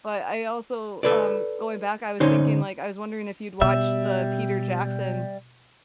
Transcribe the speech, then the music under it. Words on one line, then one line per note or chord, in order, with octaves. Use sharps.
But I also, um, going back, I was thinking, like, I was wondering if you'd watched the Peter Jackson,
A4 B4 D5
D3 C#4 D#4 C5
B2 G3 E5